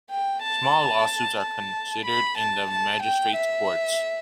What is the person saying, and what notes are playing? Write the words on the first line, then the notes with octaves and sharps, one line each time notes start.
Small lawsuits are considered in the Magistrates' Courts.
G5
A5
A5
B5
A5
A5
G5
E5